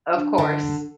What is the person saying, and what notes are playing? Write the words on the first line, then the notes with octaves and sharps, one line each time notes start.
Of course.
D4
D3